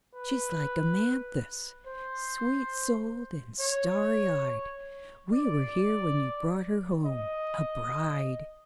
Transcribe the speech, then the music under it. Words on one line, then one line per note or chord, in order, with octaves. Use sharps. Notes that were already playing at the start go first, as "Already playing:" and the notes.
She's like Amanthis,--sweet-souled and starry-eyed; we were here when you brought her home, a bride.
B4
C5
C#5
D5
D#5